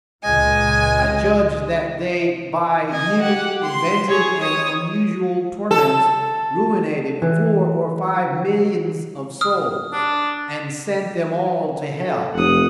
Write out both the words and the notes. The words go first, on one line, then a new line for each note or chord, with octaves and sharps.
I judge that they by new invented and unusual Torments ruinated four or five Millions of Souls and sent them all to Hell.
C#2 A#2 G#3 D#5 G#5
D#5 G#5
G4 F#5
C6
G#4 C#5
C#5 D#6
A4
E3
D#6 F6
D4
A4
F1 F#5 D#6